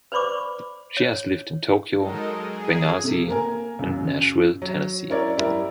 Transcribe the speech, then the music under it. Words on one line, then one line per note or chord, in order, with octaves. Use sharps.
She has lived in Tokyo, Benghazi and Nashville, Tennessee.
B4 C5 D5 B5 C#6 D6
C#5
F#3 G#3 D#4 A4 A#4 D#5
G#4
C3 A3
A#3 A#4 G#5
C#2 F#2
F#3
C#4 E4 A#4 C#5 D5
G3 E4 A#4 E5